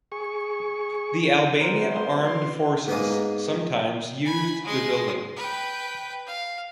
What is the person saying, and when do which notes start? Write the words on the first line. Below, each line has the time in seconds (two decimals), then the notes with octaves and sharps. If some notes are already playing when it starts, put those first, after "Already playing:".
The Albanian Armed Forces sometimes used the building.
0.12 G#4 C#6
1.60 F#2 F#3 B3 C4 D4 A#4 C5
1.90 C6
2.23 C6 D6 F6
2.88 G#2 G#3 A#3 B3
4.25 G#5 B5
4.64 G#3 C6
5.37 B4 G5
6.27 F5